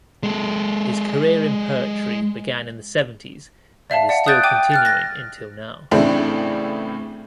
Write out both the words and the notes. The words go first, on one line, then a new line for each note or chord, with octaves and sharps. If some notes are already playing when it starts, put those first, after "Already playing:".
His career in poetry began in the seventies and is still continuing until now.
G#3 A4
D5 E5 F5 A5
D5 F#5
D#6 F#6 G6 A6 D7 D#7
G5 D6 D#7
F6 F#6 A6
A6 A#6
A2 C#3 E3 C4 D4 E4